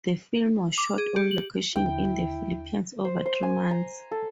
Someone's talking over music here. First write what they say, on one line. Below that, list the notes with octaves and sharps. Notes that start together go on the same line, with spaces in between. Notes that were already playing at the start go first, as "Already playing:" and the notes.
The film was shot on location in the Philippines over three months.
D6
G#4
G4
F#7
D#2 D3 E4 G5
C5
C5
G#5
A#5
A4